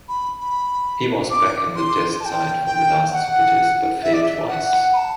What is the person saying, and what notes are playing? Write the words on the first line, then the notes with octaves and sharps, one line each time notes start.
He was back in the test side for the last supertest but failed twice.
B5
B5
D6
C6
A5
G5
G5
F#5
E5
D5
E5
F#5
B5
A5